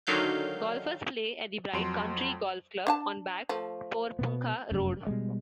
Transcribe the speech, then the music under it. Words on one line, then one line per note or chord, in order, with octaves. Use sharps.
Golfers play at the Bright Country Golf Club on Back Porepunkah Road.
D3 D#3 F#3 F5 G6
F2 F#3 C6 D7
D4 F5 A5
F3 A3
B2 B3
F1 F#2
B2 G3 G#3